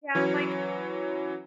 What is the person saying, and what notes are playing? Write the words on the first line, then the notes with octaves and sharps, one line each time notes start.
Yeah, like,
E3 F#3 C#4 C#5